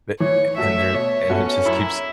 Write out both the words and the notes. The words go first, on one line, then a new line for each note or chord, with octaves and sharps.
Th a and there and it just keeps
E3 C#5
A3 F#4 A4 E5
B2 C#5
B3 C#4 F#4 A4 E5
F#2 E4